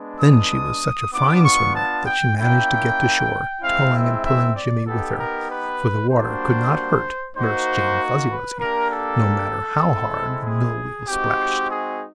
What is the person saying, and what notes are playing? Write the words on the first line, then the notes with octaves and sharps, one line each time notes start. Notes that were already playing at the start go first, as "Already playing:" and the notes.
Then she was such a fine swimmer that she managed to get to shore, towing and pulling Jimmie with her, for the water could not hurt Nurse Jane Fuzzy-Wuzzy, no matter how hard the millwheel splashed.
Already playing: G#3 B3 D4
D#6
B3 D4 F4 D6
C#6
A5
G5
A#3 C#4 E4 G5
G#3 C4 E4 F5
E5
E5
D5
B3 D#4 G4 A4
A#4
B4
G3 A#3 D4 F#4 C5
A#3 D#4 F#4 C5
B4
A#3 D4 G4 A#4
A4
G#3 C4 E4
G#4
G#3 C4 D#4 F#4 G4
G#4